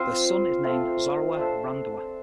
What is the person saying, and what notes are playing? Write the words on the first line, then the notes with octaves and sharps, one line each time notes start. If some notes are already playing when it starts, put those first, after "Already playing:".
Their son is named Zorawar Randhawa.
Already playing: C4 F4 C5
F3 A3 C4 F4
D4 A4 C5 E5